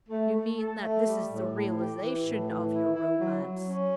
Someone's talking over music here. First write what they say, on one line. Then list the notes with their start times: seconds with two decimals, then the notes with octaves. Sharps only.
"You mean that this is the realization of your romance."
0.08 A3
0.32 A3
0.56 A4
0.80 A3
1.04 G3
1.28 A2
1.52 A2
1.75 G4
1.98 E3
2.23 A2
2.46 E3
2.70 E4
2.95 E4
3.18 F#3
3.42 F#3
3.66 C#4